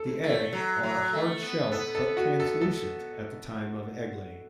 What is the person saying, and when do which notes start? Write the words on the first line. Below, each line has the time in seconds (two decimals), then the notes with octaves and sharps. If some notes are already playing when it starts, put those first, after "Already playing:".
The egg are hard shelled but translucent at the time of egg-laying.
Already playing: A4
0.24 A3
0.53 F#3
0.83 F#3
1.13 A3
1.42 B3
1.72 B3 A4
1.95 A4
2.17 F#4
2.40 A4
2.61 A4